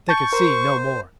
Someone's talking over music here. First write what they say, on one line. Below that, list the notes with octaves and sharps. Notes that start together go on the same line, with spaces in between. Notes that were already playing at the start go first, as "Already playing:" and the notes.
They could see no more.
A5 C#6 G6
A#4 C5